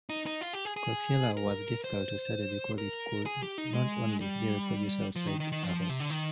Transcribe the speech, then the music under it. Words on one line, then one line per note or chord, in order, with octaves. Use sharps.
"Coxiella" was difficult to study because it could not be reproduced outside a host.
D#4
D#4
F4
G4
G#4
G#4
A#4
C5
A#4
G#4
G4
D#4
G#3
G3
F3
D#3
D#3
D#3
F3
C3
D3
D#3